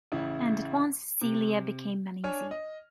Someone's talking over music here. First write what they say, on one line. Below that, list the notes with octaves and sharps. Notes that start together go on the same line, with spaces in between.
And at once Celia became uneasy.
A1 C#3 E4
C3
D4 C#5 G#5 F6
D#5